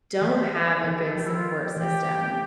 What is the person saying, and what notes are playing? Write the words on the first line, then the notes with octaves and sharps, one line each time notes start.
don't have a good support system,
E3 E5
C5
E5
F5
C5
E3 A4
G4
B4
A4
F3 G4
E4
F4
G4
E3 G4